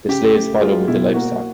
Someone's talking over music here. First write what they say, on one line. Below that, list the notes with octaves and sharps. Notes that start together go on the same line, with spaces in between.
The slaves followed with the livestock.
C#3 G4
A3
G#3 F4
B2 E4
A#3 F#4